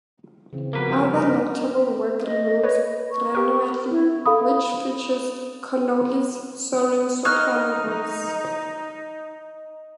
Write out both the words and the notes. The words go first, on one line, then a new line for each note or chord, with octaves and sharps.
Other notable work remains "Granuaile", which features Connolly's soaring soprano voice.
C#3 E3 C4
F3 A#3 B3 F#4 A#4 B4
C2 G2 C3
D#5
B4 C#5
C#6
G4 A#4
E4
A4 F5 B5 D#6
D#4 D#5 C#6 F6 F#6